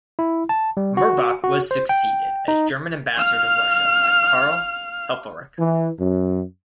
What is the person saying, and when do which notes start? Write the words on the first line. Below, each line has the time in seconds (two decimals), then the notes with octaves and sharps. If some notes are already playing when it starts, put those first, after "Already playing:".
Mirbach was succeeded as German ambassador to Russia by Karl Helfferich.
0.19 E4
0.49 A5
0.77 G3
0.97 F#4
1.44 F#4
1.71 C5
1.89 G5
2.48 D#4
3.16 F5 F6
5.58 E3
5.98 F#2